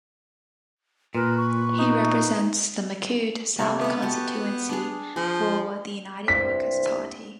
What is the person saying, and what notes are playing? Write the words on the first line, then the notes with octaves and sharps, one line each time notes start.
He represents the Micoud South constituency for the United Workers' Party.
A#2 A#4 B4
C#6
D#4
D#4
C3 A3 A#3
G#3 B3 B4
F#4 G4 A5
D4 G#4
F3 G#4
C2 G2 C5 B6